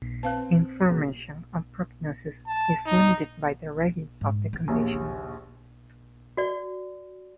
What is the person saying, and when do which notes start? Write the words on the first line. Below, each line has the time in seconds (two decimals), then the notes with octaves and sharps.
Information on prognosis is limited by the rarity of the condition.
0.23 C4 B4 F5 A5
0.89 C#3 F#3 A#3
2.47 A5
2.86 D#4
4.21 G#2
4.53 B3 C4
4.68 A#1 D#2
4.93 C#3
6.37 F#4 D5